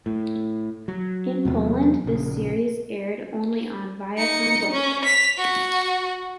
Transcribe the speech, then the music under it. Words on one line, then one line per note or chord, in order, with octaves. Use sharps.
In Poland, this series aired only on Viacom Blink!
A2
F#3
E2 C3 F#3 B3
A#1 C#3
D#4 C#7
C#4
B6 F7
F#4